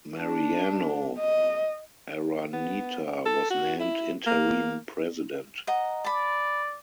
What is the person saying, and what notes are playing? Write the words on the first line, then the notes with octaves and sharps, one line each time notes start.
Mariano Araneta was named Interim President.
D4
D#5
B3
A4
F#4
E4
A#3
D#5 F#5 A#5
D5 A5 B5